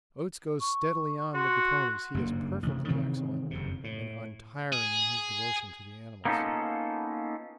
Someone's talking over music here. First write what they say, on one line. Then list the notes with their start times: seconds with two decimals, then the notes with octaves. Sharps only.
Oates goes steadily on with the ponies--he is perfectly excellent and untiring in his devotion to the animals.
0.61 C#6
1.34 F#4 C6
2.14 F#1 G2 B2 A#3
2.63 A1 C3
2.88 C3 D#3 E3 C4
3.51 F#1 F2 C3
3.84 A2
4.73 G#4
6.25 A#3 B3 C#4 D#4 F4 A4